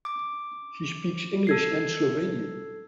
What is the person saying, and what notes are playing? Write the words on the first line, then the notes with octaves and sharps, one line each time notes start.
She speaks English and Slovenian.
D6
A4 G#6 C7